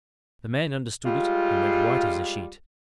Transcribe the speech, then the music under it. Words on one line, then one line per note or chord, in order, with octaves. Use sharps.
The man understood it and went white as a sheet.
G3 G#3 F4